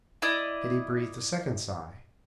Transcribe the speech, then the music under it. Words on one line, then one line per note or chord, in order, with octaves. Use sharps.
Kitty breathed a second sigh.
E4 D5 D#5